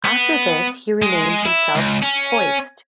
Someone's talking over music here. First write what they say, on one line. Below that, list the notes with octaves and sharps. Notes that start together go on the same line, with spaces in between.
After this, he renames himself Hoist.
B3
G#3
E4
C#2
C#4